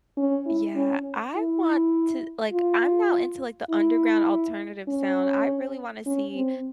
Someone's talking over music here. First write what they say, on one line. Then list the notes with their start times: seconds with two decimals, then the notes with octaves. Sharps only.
Yeah, I want to like, I'm now into, like, the underground alternative sound, I really wanna see,
0.17 C#4
0.46 E4
0.76 C#4
1.35 E4
2.52 F4
3.70 E4
4.88 C#4
6.06 C#4
6.35 C4